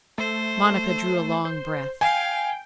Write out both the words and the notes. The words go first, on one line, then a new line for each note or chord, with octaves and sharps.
Monica drew a long breath.
A3 C5
C5
F5 G5 G#5